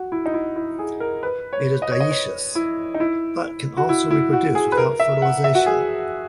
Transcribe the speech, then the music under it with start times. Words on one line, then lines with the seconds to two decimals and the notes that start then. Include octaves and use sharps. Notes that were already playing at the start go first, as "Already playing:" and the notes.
It is dioecious, but can also reproduce without fertilisation.
Already playing: F#4
0.12 E4
0.26 D#4
0.34 E4
0.56 E4
0.79 G#4
1.00 A#4
1.23 B4
1.53 C#5
1.82 D#5
1.92 C#5
2.00 D#5
2.11 C#5
2.55 E4
2.94 D#4
3.00 E4
3.77 F#4
3.89 E4
4.11 E4
4.33 F#4
4.55 G#4
4.72 B4
4.78 A#4
5.00 E5
5.22 F#5
5.44 E5
5.55 F#4
5.66 G#4